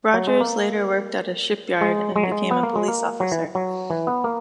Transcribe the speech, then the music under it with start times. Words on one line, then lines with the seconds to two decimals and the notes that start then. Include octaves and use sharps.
Rogers later worked at a shipyard, and became a police officer.
0.14 F#3
0.27 G#3
0.41 A#3
1.81 G#3
2.16 G#3
2.23 F#3
2.32 G#3
2.51 B3
2.63 A#3
2.76 G#3
2.88 A#3
3.20 F#3
3.32 E3
3.55 F#3
3.90 E3
4.07 B3
4.24 A#3